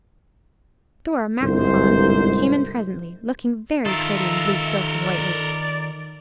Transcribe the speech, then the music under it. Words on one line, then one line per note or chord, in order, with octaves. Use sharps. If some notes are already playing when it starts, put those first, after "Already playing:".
Dora Macmahon came in presently, looking very pretty in blue silk and white lace.
G1 C2 G#2 C5
D#3 F4 A4 A#4 E5
D5